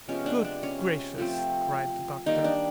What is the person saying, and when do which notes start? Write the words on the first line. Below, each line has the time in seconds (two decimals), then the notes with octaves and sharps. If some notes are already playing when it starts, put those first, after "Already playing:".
"Good gracious!" cried the Doctor.
0.08 C3 F3 G#3 B3 C#4
0.26 D4
0.44 D4
0.63 C#4
1.18 F3 A3 C4
2.26 D#3 G3 A#3 D#4
2.44 D4